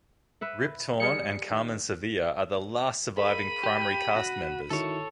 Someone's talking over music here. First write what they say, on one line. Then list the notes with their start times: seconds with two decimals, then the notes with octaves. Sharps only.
Rip Torn and Carmen Sevilla are the last surviving primary cast members.
0.41 B4 E5 F#5
1.00 G3 G#4 A#4 C#7
1.50 D#3
3.17 G#4 A#4 F5 B5 D#7
3.64 G4
4.16 F#4
4.70 D#3 E4 F#4 A4 C#5